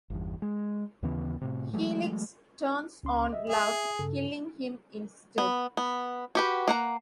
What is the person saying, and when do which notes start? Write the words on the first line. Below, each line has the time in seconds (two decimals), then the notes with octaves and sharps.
Helix turns on Love, killing him instead.
0.10 G1 E2
0.42 G#3
1.03 D#2 C#3 E3 B3
1.41 A2 C3
1.73 E3 F#3 G#3 A3
3.03 C#2 C#4 C6
3.33 D#5 E5
3.50 G#4 E5
3.99 G2 C#3 A4
5.38 B3
5.77 B3
6.35 F#4 G4 B4
6.68 A#3 F#5 A#5